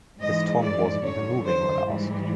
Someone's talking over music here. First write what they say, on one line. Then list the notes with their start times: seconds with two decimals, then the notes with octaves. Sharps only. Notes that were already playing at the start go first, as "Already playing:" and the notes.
His tongue wasn’t even moving when asked.
0.21 G#2 E3 G#3 D#5
0.62 D5
1.04 F#2 D3 F#3 C#5
1.46 C5
1.87 G#2 E3 G3